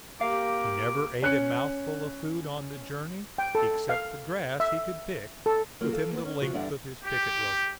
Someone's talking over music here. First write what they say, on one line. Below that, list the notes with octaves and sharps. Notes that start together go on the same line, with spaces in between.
He never ate a mouthful of food on the journey except the grass he could pick within the length of his picket rope.
A#3 G4 F5 D6
C#4 F#6 C#7
G5
A4
F5
E5
A4
F#3 A#3 C#4 F4 F#4
A4 F5
A#3 B3 C5
C#4
C#3 F3 F#4
E2 G2 D3 D4 F#5
G4